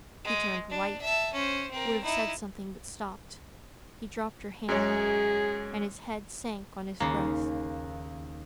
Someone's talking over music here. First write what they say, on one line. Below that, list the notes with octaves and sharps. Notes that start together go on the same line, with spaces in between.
He turned white, would have said something, but stopped; he dropped her hand, and his head sank on his breast.
G#3
D4
E5 A5
C#4 C5
C4 A#4
D#4 E4
F#2 G#3 G#4 C#5
D#2 C#3 A#3